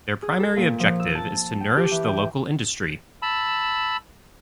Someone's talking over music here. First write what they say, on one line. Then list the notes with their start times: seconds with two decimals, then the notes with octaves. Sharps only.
Their primary objective is to nourish the local industry.
0.22 G#4
0.40 A4
0.57 A#2
0.80 F3
1.00 E6
1.15 A5
1.61 G5
1.77 G4
1.91 E3
2.08 G5
3.22 A5 B5 E6